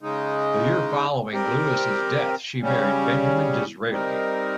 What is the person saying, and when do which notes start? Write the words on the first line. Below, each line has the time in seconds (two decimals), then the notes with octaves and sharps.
The year following Lewis's death she married Benjamin Disraeli.
0.02 C#3 G#3 D#4
1.31 G3 C4 G4 A#4
2.61 C#3 G3 C#4
3.90 G3 C4 D#4 A#4